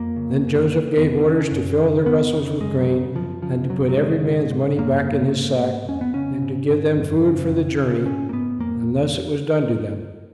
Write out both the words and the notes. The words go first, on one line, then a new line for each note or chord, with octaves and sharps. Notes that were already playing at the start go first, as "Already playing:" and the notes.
Then Joseph gave orders to fill their vessels with grain and to put every man's money back in his sack and to give them food for the journey; and thus it was done to them.
Already playing: F2 A#3
C#3
F#2
C#3
F2 B3
C#3 C#4
F#2
C#3
F2 B3
C#3
F#2 G#3
F#3
C#3
F#2 F3
C#3 F3
F#2 F#3
F#3
C#3 G#3
G#2
G#2
F#2 A#3
C#3
G#2
G#2
F2 C#4
B3
C#3 C#4
G#2
G#2
F#2
C#3
F2
C#3
G#2 C#4
A#3
G#2 B3
F2 A#3